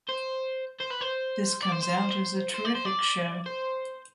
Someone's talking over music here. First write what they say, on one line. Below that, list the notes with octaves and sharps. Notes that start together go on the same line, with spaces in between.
This comes out as a terrific show.
C5
C5
B4
C5
D5
C5
C5
C5
D5
C5
D5
C5